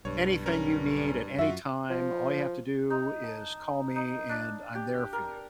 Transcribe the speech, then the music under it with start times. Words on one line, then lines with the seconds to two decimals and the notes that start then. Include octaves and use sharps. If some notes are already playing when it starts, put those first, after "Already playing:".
anything you need at any time, all you have to do is call me and I'm there for you,"
0.05 B1 G2 C#5
0.46 C#4 A#4
1.39 F#2 F4 F#4 E5
1.90 F3
2.90 D#4
3.24 A5
3.96 D#4
4.29 D4
4.75 G4
5.13 A#4